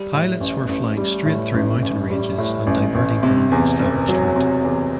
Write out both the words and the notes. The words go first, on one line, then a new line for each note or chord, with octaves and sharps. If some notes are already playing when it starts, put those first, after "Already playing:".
Pilots were flying straight through mountain ranges and diverting from the established route.
Already playing: G3
A2
A1
A1
G3
A2
A1
A1
G3
A2
A1
A1
C3
E2
F#1
F#3
C3
E2